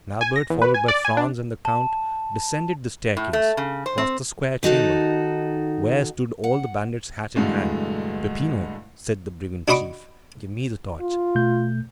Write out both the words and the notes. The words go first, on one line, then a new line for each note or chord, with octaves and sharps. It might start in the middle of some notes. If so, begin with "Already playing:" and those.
And Albert, followed by Franz and the count, descended the staircase, crossed the square chamber, where stood all the bandits, hat in hand. "Peppino," said the brigand chief, "give me the torch."
G#5
A#6
E2
B4
G#5
D5
G#5
D4
A5
A2
A3
C#3
C5
C4
D#3 D#4 F#4 A4
F#5
E2 G2 B2 D3 G#3 A3
D4 F#4 D#5 B5 C#6 D6
F4
B2 A3 G6